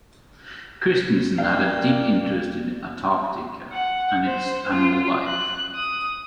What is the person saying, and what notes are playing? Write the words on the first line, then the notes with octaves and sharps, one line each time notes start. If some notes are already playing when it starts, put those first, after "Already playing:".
Christensen had a deep interest in Antarctica and its animal life.
A#3 D5 F5 G5
F#5
C5
F4
F#6
D#6